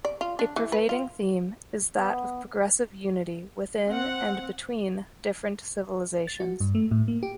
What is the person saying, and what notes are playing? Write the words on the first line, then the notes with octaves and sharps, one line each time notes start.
A pervading theme is that of progressive unity within and between different civilizations.
D5
F4
D4
E3
B4
F4
B3
C4 F#5
A6
F#4
G2
A3
A2
A#3
G4